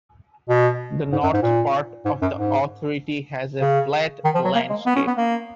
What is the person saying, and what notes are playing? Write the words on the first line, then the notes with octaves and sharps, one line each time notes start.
The north part of the authority has a flat landscape.
B2
G#2
F#2
G#2
A#2
G#2
F#2
G#2
C#3
D#3
F3
F#3
A#3
G#3
B3
C#4
B3
A#3